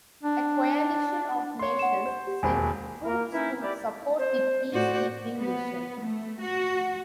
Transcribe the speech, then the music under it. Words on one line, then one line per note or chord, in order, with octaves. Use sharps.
A coalition of nations sent troops to support the peace keeping mission.
D4
C#5 C6
F#5 E7
C5
G4
E1 D#2 G#5 B5
A#3 A#4
E3 C#4 D#4 E4
E4 G4 D5
C5
A2 F#4 C5 D5
B3
A3
F#4